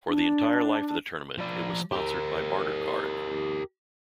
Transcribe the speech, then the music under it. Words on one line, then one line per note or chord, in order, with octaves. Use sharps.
For the entire life of the tournament it was sponsored by Bartercard.
D4
F3 D5
G4 A#4